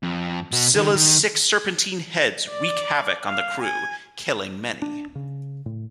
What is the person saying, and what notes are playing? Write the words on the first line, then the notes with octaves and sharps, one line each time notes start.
Scylla's six serpentine heads wreak havoc on the crew, killing many.
F2
B2 F#4
D3 D#3
D#3
D5
F5
G#5
D4
C#3
A2